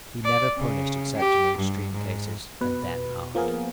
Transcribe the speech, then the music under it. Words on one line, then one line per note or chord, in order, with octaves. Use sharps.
He never punished except in extreme cases, and then hard.
D5
C#3
G4
G2
G#2
B2 B4
F3 A#3 B3 G#4 A#4